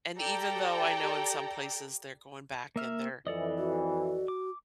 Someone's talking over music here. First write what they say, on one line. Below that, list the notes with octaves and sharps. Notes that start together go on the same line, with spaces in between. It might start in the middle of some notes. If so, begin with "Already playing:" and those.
and even though I know in some places they're going back and they're
G4 A4 D5 G5 A#5
A#3 E5 F6
F2 E3 A4 D5 D#5
F#4
D6